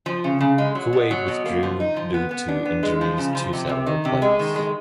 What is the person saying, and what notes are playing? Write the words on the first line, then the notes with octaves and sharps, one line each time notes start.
Kuwait withdrew due to injuries to several players.
F3
C#3
C#3
G#3
F#3
B2
F#3
B2
A#3
F3
D#4
F3
B3
B3
D4
B3
G#3
F3
C#3
F3
C3
C3
D#3
C3
G#3
D#3
G#3